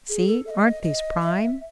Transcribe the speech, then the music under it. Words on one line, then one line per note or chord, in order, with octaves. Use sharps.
"See--aren't these prime!"
G#4
A4
E5
D#5
D#5
E5